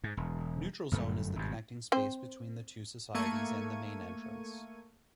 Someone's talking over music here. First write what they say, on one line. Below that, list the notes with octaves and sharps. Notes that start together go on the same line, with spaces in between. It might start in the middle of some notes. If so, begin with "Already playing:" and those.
Neutral Zone is the connecting space between the two societies and the main entrance.
G#2
E1
G1 F#2 A3
G#1 G2
C4 C5
A3 A#3 C#6 G#6 D#7